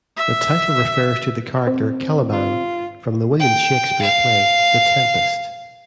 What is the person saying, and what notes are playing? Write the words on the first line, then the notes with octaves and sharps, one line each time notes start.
The title refers to the character Caliban from the William Shakespeare play "The Tempest".
E5
C4
F4
G5
F5